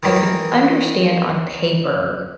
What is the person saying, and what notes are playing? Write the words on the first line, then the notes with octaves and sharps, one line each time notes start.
I could understand on paper
D#3 E3 A#3